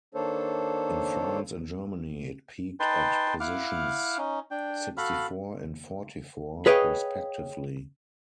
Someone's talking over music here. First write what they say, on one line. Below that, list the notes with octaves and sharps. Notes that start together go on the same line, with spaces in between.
In France and Germany, it peaked at positions sixty-four and forty-four, respectively.
D#3 A#3 D4 A4 C5 C#5
D#4 B4 G5 A5 C6
E4 F5 F#5 D6 F6
C#4 D#4
D4 G5
F#4 A4 F5 B5
G#4 B4 C#5 D#5 F5 G5